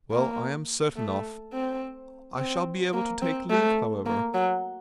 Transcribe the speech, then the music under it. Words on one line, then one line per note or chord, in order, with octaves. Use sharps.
Well, I am certain of--I shall be able to take leave, however.
A#3
A3
C4
C4
A#3
C4
A3
A#3
F#3